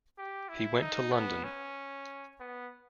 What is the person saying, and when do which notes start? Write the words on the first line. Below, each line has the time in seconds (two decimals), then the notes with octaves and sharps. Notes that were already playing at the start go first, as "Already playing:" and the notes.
He went to London.
0.18 G4
0.48 E4
0.81 D#4
1.12 B3
1.43 C#4
2.40 B3